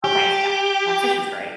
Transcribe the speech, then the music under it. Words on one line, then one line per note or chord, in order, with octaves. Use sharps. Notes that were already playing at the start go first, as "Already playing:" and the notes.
Okay, yep. Yeah, fish is great.
G4